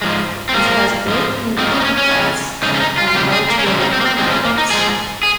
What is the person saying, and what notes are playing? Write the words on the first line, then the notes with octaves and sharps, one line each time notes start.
It has grey-green upperparts and bright yellow underparts.
G#2 F3 G#3
C4
G#2 F3 A#3
G#2 F3 G#3
G#2 F3 G#3 C4
C#4
D#4
C#4
C#4
F2 C#3 G#3
F2 C#3 G#3 D#4
C#4
D#4
F4
F4
F2 C#3 G#3 G4
G#4
A#3
C#4
F2 C#3 G#3 C4
D#4
C4
A#3
C4
G#2 F3 G#3 C4
C#4
A#3
D#4
G#2 F3 G#3 G#4
G#4